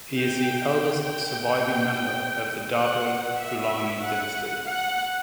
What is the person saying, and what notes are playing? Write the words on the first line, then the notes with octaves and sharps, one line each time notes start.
He is the eldest surviving member of the Dabo Fulani Dynasty.
G5
G5
F#5
E5
F#5
F#5